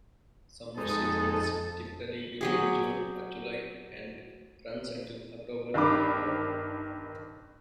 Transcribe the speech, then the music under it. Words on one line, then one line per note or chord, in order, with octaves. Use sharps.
Summer seasons typically begin in June or July and runs until October or November.
F2 G#3 D#4 A4
F#3 G4 G#4
G1 D#3 D4 B5 D6